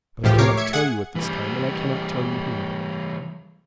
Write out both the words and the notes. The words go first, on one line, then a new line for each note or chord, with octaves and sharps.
But I cannot tell you at this time, and I cannot tell you here.
C#2 A2 E3 F3 G4
A2 A#4 C#5 D6 C7
E5 G#6 C#7
G#4 F#5 G#6
E3 G3